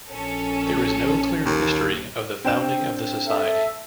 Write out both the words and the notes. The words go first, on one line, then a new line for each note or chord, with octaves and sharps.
There is no clear history of the founding of the society.
A#1 C#4 A4
D#2
C4 D4 G5 E7
A4 E5